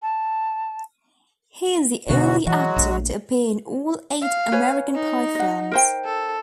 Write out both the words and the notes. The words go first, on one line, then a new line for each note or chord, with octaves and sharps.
He is the only actor to appear in all eight "American Pie" films.
A5
E2 G#2 B2 D3 F#4
E3 F#3 G#3 F#4
A#1 A3
F5
B4 C#5 G#5
D#4
D#5 F#5
A#4 C5 G5
A4